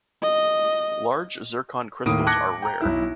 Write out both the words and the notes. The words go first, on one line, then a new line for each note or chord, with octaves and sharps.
Large zircon crystals are rare.
D#5
D#2 A2 A#3 E4 D#6 D7
A5 D6 F#6 G#6 A#6 C#7
G5 A#5
B1 E4